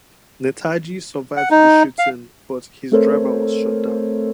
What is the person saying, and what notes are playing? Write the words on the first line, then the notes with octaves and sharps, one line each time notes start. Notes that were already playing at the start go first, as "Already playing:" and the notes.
Netaji survived the shooting but his driver was shot down.
F#5
D#4
F5
A3 C4 A4 A#4 C5 C#5